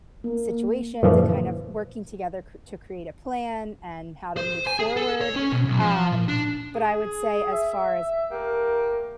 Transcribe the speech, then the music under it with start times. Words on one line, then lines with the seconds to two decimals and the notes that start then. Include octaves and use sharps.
situations and kind of working together cr to create a plan and how to move forward. Um, but I would say as far as
0.24 A#3
1.02 F#2 A#2 D3 E3 F3
4.37 C5
4.67 G#5
4.80 G#4
4.97 A4
5.21 C#5
5.36 C#4
5.52 B2
5.65 B1
5.79 F3
6.12 A#2
6.28 D4
6.75 G#4
7.52 E5
8.31 A3 A#3 G4 A#4